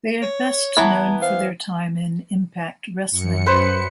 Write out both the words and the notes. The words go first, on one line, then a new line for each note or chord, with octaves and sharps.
They are best known for their time in Impact Wrestling.
C#5
E3 B3 A5 A#5 G#6
C5 F5
F#2 C#7
B4 C5